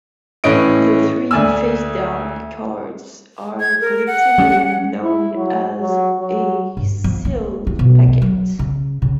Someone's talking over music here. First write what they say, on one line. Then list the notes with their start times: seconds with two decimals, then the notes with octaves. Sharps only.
The three face down cards are collectively known as a "sealed" packet.
0.44 A2 E3 C#4 D#5 D7
1.31 D2 D5 G#5 E6
3.60 G#6
3.81 A#4
4.07 F#5
4.38 G3 C#4
5.02 E4
5.36 F#3
5.79 F#3
6.20 F#3
6.77 G2
7.04 F3
7.25 A#3
7.67 E3
7.79 B1
8.08 B2
8.22 F#3
8.59 C#3
9.02 C#3